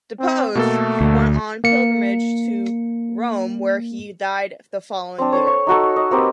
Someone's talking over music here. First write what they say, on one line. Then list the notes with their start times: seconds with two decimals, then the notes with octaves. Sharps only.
Deposed, he went on pilgrimage to Rome where he died the following year.
0.19 C4
0.55 B2 A3 A#3 A4
1.01 D2
1.64 A#3 C#7
5.19 C4 D4
5.32 A4 C5 C#5
5.47 C#6
5.67 D#4 F#4 A4
5.96 D#5
6.11 A#3 C4 G4 B4